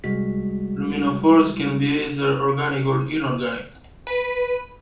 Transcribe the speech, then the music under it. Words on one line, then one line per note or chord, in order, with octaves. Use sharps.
Luminophores can be either organic or inorganic.
C2 G3 G#3 F#4 B6
B4